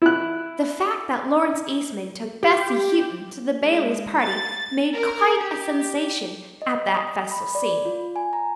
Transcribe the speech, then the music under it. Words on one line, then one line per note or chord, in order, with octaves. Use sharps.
The fact that Lawrence Eastman took Bessy Houghton to the Baileys' party made quite a sensation at that festal scene.
E4 F#6
G4
G#3
A6
A#4
G4
D#5
D#6
B5
D5
F4
G#5
A#5